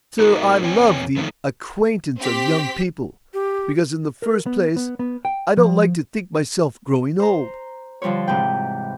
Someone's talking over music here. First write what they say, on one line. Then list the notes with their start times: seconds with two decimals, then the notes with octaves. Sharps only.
'Sir, I love the acquaintance of young people; because, in the first place, I don't like to think myself growing old.
0.19 D#4 F#4 A#4
0.62 E2 C4 C#5 G5 G#5
1.17 D3 D#3 F3 A3 D#4
2.19 C4 G4 B6
3.34 G4
4.22 A#4
4.46 B3
4.76 B3
4.99 B3
5.25 G5
5.57 F3
7.20 C5 A#5
8.02 D3 F3 G3 C5 C#5
8.28 G#2 C3 E3 B4 G5